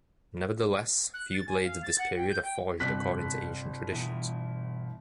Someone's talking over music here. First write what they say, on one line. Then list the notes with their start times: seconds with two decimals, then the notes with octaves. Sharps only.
Nevertheless, few blades of this period are forged according to ancient traditions.
1.13 F#6
1.34 A6
1.47 G#5
1.63 F5
1.83 A6
1.98 F#5
2.16 G5
2.30 G6
2.43 G5
2.80 G1 C3 F#6 B6
3.92 B2 E3 E4